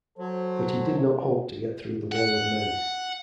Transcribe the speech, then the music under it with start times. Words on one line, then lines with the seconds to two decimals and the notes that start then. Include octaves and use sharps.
But he did not hope to get through the wall of men.
0.19 F#3 A4 C5
2.12 F#5